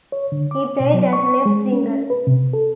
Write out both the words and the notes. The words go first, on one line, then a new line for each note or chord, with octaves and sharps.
He played as a left winger.
C#5
D3
D6
B2
F#3
C#6
G#3
C#4
C#4
B4
C3
A4